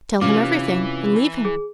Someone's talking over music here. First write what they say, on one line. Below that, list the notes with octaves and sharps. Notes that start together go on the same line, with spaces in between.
"Tell him everything, and leave him."
C3 E3 C#4 F4 D6
G#4